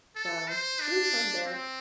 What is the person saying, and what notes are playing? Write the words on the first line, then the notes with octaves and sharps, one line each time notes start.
So, maybe someday.
A4
C5
D4
C4